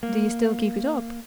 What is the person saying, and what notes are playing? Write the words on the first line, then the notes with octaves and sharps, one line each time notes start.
"Do you still keep it up?"
A#3